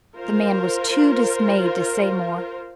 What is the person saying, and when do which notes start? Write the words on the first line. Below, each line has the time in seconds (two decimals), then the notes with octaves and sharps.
The man was too dismayed to say more.
0.16 F4 A#4 C5